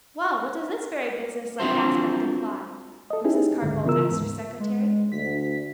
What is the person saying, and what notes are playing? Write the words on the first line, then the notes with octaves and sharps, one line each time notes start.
"Well, what does this very businesslike aspect imply?" Mrs. Carr-Boldt asked her secretary.
C4 D4 F4 F#4 C5
A4 D#5
C#4 D#4 E4 G4 G#4
D2 G#2 D3
C#3 E3 B3 F4 A#4 E6
D2 G#2
G#3
D2 B6